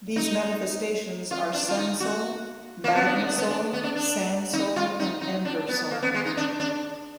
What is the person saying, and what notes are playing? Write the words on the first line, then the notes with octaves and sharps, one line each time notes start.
These manifestations are Sunsoul, Magmasoul, Sandsoul, and Embersoul.
D#4
F4
D4
F4
D#4
F#4
A#3
B3
D4
D#4
D4
B3
D4
B3
D4
D4
D#4
F4
D#4
D#4
D4
B3
A#3
B3
G#3
D#4
D4
D4